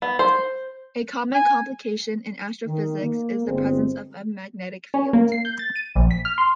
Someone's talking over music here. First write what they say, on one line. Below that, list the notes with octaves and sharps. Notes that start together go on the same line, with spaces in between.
A common complication in astrophysics is the presence of a magnetic field.
B3
C5
G#5
D#3
A#3
G1 G#3 C4
C#4
A#3
C7
G6
A6
D#7
A#1
B6
F6
C6